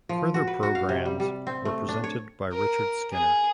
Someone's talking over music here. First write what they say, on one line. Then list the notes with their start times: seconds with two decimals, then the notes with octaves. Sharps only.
Further programmes were presented by Richard Skinner.
0.09 F3
0.34 F#4
0.47 B4
0.63 F#4
0.75 F5
0.89 C3
1.06 G3
1.20 G3
1.47 C4
1.65 A3
1.88 D4
2.04 C#5
2.52 A#4
3.12 G#4